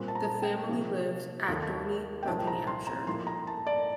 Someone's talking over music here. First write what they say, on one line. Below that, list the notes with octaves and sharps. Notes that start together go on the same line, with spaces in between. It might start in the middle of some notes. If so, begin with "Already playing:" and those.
The family lived at Dorney, Buckinghamshire.
Already playing: A#2 G3 C4
A5
A#5
G5
C3 F3 A#3 D#4
D#2 D#3 A3
G5
C2 A#2 F3 C4 D#4 A5
A#5
C6
A#5
A2 F3 A#3 D#4 C6
A#5
A5
D5